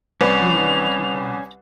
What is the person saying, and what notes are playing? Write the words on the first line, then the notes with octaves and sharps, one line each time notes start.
We were not involved.
C2 C#4 B4 D5 F7